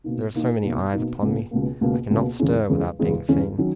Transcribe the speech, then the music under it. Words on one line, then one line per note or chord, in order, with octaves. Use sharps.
"There are so many eyes upon me, I cannot stir without being seen."
B2 A#3 D#4
B2 A#3 D#4
B2 A#3 D#4
B2 A#3 D#4
C#2 B2 A#3
C#2 B2 A#3
C#2 B2 A#3
C#2 B2 A#3
E2 C#3 G#3 C#4
E2 C#3 G#3 C#4
E2 C#3 G#3 C#4
E2 C#3 G#3 C#4
D#3 F#3 C#4